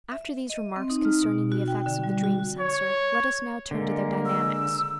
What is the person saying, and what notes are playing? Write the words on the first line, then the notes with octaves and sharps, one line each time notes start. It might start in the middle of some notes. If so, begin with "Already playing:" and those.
After these remarks concerning the effects of the dream censor, let us now turn to their dynamics.
E5
D#5
C4
D#4
F6
B2
F#4
G5
D3
G3
F#4
C#5
D3 G#3 A#3 A#4
E6